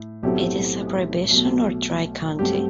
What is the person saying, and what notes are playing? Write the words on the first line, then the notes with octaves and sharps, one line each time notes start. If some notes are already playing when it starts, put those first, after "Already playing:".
It is a prohibition or dry county.
Already playing: A2
B1 A2 F#3 A3 C4 G4
B1 B2 A3
G2 F#3 A3 C4 G4